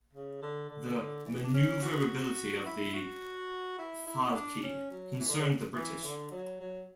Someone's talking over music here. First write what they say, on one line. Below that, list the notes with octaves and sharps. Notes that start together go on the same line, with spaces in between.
The manoeuvrability of the "Falchi" concerned the British.
C#3
D3
D3
D3
E3
D4
C#4
F#4
E4
F#4
E4
E4
D4
C#4
F#3
E3
D3
C#3
E3
D3
F#3
F#3